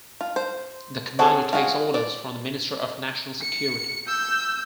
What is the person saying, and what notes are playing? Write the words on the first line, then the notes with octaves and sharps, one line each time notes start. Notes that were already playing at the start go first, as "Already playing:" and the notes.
The commander takes orders from the Minister of National Security.
F4
C5
C4 F#4 G#4 A4 C#5
F4 F#4 G#4
D5
C#7
E6 G6